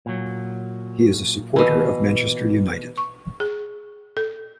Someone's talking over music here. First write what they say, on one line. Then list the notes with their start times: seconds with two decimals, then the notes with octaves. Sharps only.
He is a supporter of Manchester United.
0.06 A#2 F#3
1.56 B2 E3
2.98 C#6
3.40 G#4
4.17 A4